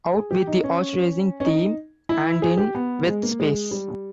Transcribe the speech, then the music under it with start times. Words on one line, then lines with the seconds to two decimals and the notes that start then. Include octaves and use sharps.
Out with the horse-racing theme and in with space.
0.15 G#4
0.31 G4
0.47 D#4
0.64 C#4
1.40 C#4
1.45 D#4
2.09 E4
2.42 G#4
2.58 G4
2.75 B3
3.07 G#3
3.23 A#3
3.40 G#3
3.71 G3